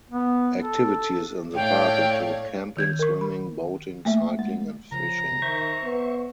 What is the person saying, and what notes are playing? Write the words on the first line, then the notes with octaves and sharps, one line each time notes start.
Activities in the park include camping, swimming, boating, cycling and fishing.
B3
A4
A2 A3 C#5 D5 F5 G5
D#3 G6 G#6
A#4 C#6
B5
A3 A#3 E5
G#3
C#3 F3 A#5
D#3 C5 E5 C#6
B3